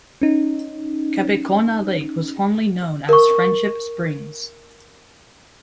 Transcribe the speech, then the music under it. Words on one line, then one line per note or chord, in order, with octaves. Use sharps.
Kabekona Lake was formerly known as "Friendship Springs".
C#4 D#4
A#4 C#6